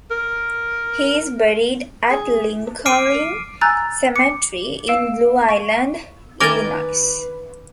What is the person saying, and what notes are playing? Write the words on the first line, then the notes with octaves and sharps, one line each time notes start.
He is buried at Lincoln Cemetery in Blue Island, Illinois.
A#4
G#4
D6 F6 C7 D7 D#7
G#5 A#5 E6 F#6 G6 A6
D6 C#7
F5 E6 D7 E7
C#6 D7 D#7
D#3 A#4 B4 G#5 D6 A6